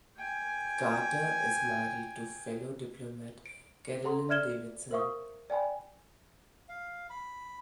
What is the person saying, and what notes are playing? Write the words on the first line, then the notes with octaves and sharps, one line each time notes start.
Carter is married to fellow diplomat Carolyn Davidson.
G5 G#5
D7
A4 F#5 A#5 C6
D5 E5 F6 G#6 E7 G7
A#4 C5 E5 F5 C#6 D#6
D5 G5 G#5 B5
F5
B5